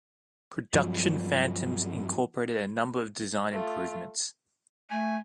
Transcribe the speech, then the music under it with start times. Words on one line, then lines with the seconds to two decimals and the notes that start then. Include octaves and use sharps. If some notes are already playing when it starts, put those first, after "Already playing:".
Production Phantoms incorporated a number of design improvements.
0.74 G2 F3 F#3
3.51 A3 F4
4.91 A3 G#5